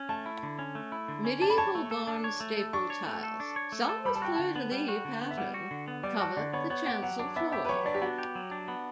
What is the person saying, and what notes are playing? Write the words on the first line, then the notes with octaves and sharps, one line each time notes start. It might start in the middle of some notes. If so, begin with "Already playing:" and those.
Medieval Barnstaple tiles, some with fleur-de-lys pattern, cover the chancel floor.
Already playing: C#4
A3 A5
E4
D3
C#4
A3
E4
D3
C#4
D4 A5
B5
C#5 A5
A3
A4
D4
C#5
A3
A4
D4 C#6
C#5
A3
A4
D4
C#5
A3
A4
G3 B5
A5
F#4 G5
D3 A5
B3
G3
F#4
D3
B3
E5
G3 F#5
F#4
D3
B3
G3 D5
F#4 A5
D3 D5
B3 C#5
B3 C#5
G4 F#5
F#3 F#5
D4 D6
B3 E5
G4 E5
B4
F#3 C#5
D4 D5
G4
B3 F#4
G4
F#3
D4
B3